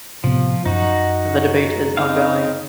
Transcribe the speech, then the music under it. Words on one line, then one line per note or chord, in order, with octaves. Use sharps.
The debate is ongoing.
A2 C3 F3 B3
F#2 D#4 F#4
C4 D#4 F5